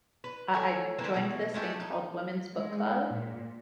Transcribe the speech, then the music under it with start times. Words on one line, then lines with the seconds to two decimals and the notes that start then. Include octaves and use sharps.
uh, I joined this thing called Women's Book Club
0.24 B4
0.54 A3 C#5 G#5
0.98 D3 E3 A#3 C4
1.14 B2 E3
1.54 G#3 A3 F4 G4
1.80 D#4
2.54 G#3
3.07 A#2